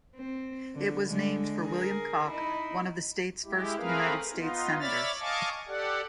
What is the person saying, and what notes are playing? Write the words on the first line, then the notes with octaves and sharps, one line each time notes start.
It was named for William Cocke, one of the state's first United States Senators.
C4
D3
D3 G#3
G#4 A#4
D#4 E4
G#3 E4 G4
A3 C4 G#4 A#4 B4 F5
B3 D#4 F4
C#5 D5 E5 B5 F6 A6
D#5 F5 G#5 A5 C#6 D6
G4 A4 D5 F#5